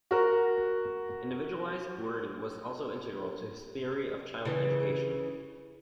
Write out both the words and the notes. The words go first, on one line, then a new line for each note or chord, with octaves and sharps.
Individualized learning was also integral to his theory of child education.
F#4 A#4
C#3 E3